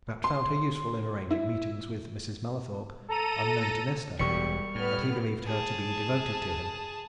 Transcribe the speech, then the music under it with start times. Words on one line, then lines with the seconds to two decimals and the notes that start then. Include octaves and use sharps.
Pratt found her useful in arranging meetings with Mrs. Mallathorpe unknown to Nesta, and he believed her to be devoted to him.
0.24 C6
1.31 E4
3.09 A4 A#5 D#7
4.19 E1 E2 B2 G3 C#6 C#7
4.75 A2 B3 B4 F6
5.47 G#4 A5